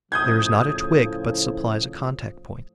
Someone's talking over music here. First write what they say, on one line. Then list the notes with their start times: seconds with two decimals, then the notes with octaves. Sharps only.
There is not a twig but supplies a contact-point.
0.12 A2 C#3 F3 D#6 G6 G#6